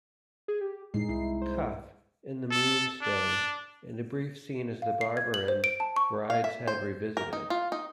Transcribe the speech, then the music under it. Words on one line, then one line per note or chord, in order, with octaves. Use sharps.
Cuff in "The Moonstone" and a brief scene as the barber in "Brideshead Revisited".
G#4
G4
A2 G#3 D#4 C7
C2 E4
C5
A4
D4
F5
C7
G#6
F#7
C5
D7
A5
C#6
F5
E5
C5
A#4
D#4
F4
D#4